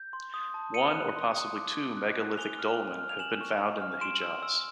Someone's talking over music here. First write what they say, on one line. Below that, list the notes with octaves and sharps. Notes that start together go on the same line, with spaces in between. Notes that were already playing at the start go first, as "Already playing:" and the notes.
One or possibly two megalithic dolmen have been found in the Hijaz.
Already playing: G6
C6
D#6
A5
D#6 C#7 D#7
F#6
C6
D#6
D6
D6
F#6
F#6
G#5 F7 G7
F6
G#5
F6
F7
G#5 E7 F#7
C#6
G#5
F6
C6 D7 E7
E6
E6